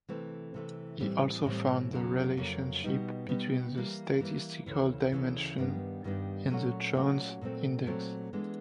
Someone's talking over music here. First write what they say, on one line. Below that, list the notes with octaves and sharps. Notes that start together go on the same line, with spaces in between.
He also found the relationship between the statistical dimension and the Jones index.
C3 E3 A3 C4
C3 E3 A3 C4
A2 E3 G3 C4
A2 E3 G3 C4
F2 C#3 F#3 A#3
F2 C#3 F#3 A#3
B2 G3 B3 D#4
B2 G3 B3 D#4
E3 G3 A#3
E3 G3 A#3
D2 C#3 E3
D2 C#3 E3
G2 D#3 G3 B3 D4
G2 D#3 G3 B3 D4
A#2 F#3 A3 C#4 F#4
A#2 F#3 A3 C#4 F#4
A#2 F#3 A3 C4
A#2 F#3 A3 C4
E3 G#3 B3 D4